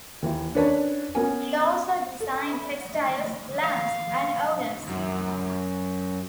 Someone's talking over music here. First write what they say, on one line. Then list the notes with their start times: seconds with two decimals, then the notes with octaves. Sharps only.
He also designed textiles, lamps and organs.
0.22 D#2 E3
0.54 C#4 D4 A#4 B4 C#5 A5
1.15 B3 C#4 A#4 G#5
2.20 A4
3.64 F5
4.89 F#2